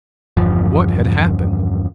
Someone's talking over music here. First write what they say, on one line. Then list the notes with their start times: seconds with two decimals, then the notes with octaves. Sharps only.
What had happened?
0.37 G1 E2 G2 F3